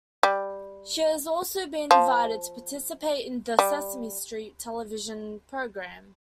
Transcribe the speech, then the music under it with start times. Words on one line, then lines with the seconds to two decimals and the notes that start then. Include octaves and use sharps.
She has also been invited to participate in the "Sesame Street" television program.
0.23 G3
1.91 F3
3.59 G3